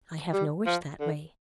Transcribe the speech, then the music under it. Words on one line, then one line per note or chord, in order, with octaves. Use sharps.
I have no wish that way.
G3
F3
D3